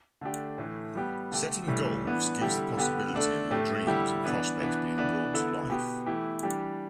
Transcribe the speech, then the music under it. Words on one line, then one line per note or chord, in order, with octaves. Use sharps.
Setting goals gives the possibility of your dreams and prospects being brought to life.
D3 A3 D4 G4
A2 E3 A3
G3 B3 G4
D3 A3 G4
A2 E3 G3
E3 B3 D4
D3 G3 E4 G4
D3 B3 G4
D3 A3 D4 A4
A2 A3 G4
D3 G3 E4 G4
E3 B3 D4
E3 B3 D4
E3 B3 D4
D3 B3 E4 A4
B2 B3 G4
E3 A3 E4 G4
E3 G3 D4 G4